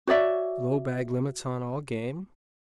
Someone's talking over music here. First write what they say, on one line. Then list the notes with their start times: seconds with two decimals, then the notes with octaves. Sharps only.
Low bag limits on all game.
0.07 F#4 C#5 D5 E5